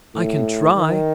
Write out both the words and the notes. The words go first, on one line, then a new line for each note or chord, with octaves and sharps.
"I can try."
A2
D#3